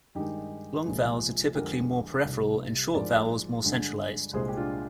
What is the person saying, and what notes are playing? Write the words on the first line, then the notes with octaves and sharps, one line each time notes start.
Long vowels are typically more peripheral and short vowels more centralized.
G2 D#3 G#3 D#4 G4
C2 A#2 F3 G#3
F2 D3 G#3 G4 A#4
C2 C3 G3
G#2 F3 G#3 A#4 D5
G2 D3 G#3
C2 A#2 G#3 G#4 C5
G4
D4 F4